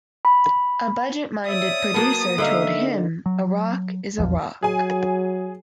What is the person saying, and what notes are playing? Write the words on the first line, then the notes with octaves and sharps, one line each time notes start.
A budget-minded producer told him, A rock is a rock.
B5
C#5 D5 E5 D#6
F#3 A#3 B3 A5
D3 D#4 E5 F5
F#3
F1 A#1 E2 F3
F#3 G#4 G#5